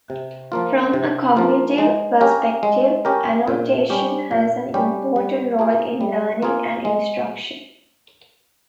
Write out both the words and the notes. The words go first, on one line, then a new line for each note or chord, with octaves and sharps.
From a cognitive perspective annotation has an important role in learning and instruction.
C3
F3 A#3 F4
C3
F3 A#3 F4
G#3
C#4 G4 A#4
G#3
C#4 G4 A#4
A#2
G3 C#4 G4
A#2
G3 C#4 G4
G3
A#3 F4 G#4
G3
A#3 F4 G#4
G#3